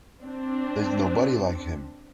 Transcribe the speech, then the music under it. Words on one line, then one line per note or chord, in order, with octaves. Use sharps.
There is nobody like him.
C4 D4